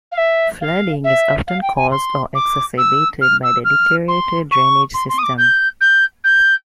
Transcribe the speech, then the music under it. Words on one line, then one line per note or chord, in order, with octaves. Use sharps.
Flooding is often caused or exacerbated by the deteriorated drainage system.
F5
E5
F5
E5
F5
G5
G#5
C6
D6
E6
F6
E6
F6
C6
C#6
C6
C6
D#6
D6
G6
G6
G6